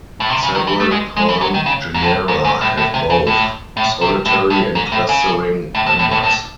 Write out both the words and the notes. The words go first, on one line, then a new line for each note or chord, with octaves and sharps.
Several palm genera have both solitary and clustering members.
A2
C3
C#3
D#3
E3
A3
G#3
G#3
E3
F#3
D#3
C#3
G#2
A2
G#2
G#2
A2
A2
C3
C#3
A2
A2
C3
A2
A2
G#2
A2
C#3
A2
A2
A2
A2
A2